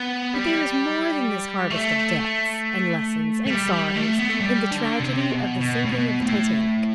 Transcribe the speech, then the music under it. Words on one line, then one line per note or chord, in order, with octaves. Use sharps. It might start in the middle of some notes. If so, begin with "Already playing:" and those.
But there is more than this harvest of debts, and lessons, and sorrows, in the tragedy of the sinking of the Titanic.
Already playing: B3
G3
A3
A3
G3
A3
B3
A3
G3
D3
C3
B2
B2
A2
B2
A2